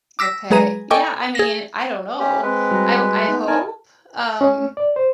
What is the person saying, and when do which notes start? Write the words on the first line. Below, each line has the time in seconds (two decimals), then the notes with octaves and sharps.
Okay. Yeah, I mean, I don't know. I w I hope? Um,
0.19 D6 E6 A#6 B6
0.51 F#3 G#3 G#4 B4 A#5 D#7
0.91 A4 D#5 G5 G#5 C#6 D6
1.35 G#4 A#6
2.19 C#4 G4
2.42 G#3 C4 B4
2.71 G3 F#4 A#5
3.28 B3 D#4
3.47 D#4 A#4 D5 G#5 A5
4.41 C#4
4.77 D5
4.96 C5